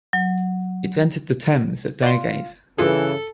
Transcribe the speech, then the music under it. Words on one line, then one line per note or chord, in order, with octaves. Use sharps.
It entered the Thames at Dowgate.
F#3
F4 D5 C6
G2 C#3 E3 F4 G#4 A4